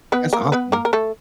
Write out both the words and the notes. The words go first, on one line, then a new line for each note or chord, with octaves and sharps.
That's awesome.
B3 B4
A#3 A#4
B3 B4
A#3 A#4
A#4
A3 A4